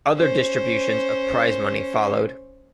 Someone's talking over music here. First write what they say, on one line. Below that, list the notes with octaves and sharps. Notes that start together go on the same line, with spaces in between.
Other distributions of prize money followed.
C#4 C5